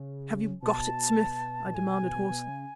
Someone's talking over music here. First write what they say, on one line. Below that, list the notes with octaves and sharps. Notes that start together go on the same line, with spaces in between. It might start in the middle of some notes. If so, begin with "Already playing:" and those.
"Have you got it, Smith?" I demanded hoarsely.
Already playing: C#3
B2 A5
B2
A2 G#5
B2
B2
B2
B2
C#3